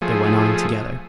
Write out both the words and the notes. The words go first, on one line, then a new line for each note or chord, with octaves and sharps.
They went on together.
F3 A3 G#4